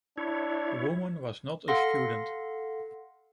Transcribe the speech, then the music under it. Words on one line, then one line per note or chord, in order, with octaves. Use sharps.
The woman was not a student.
D4 E4 C#5
A4 F5 F#5 C6 A#6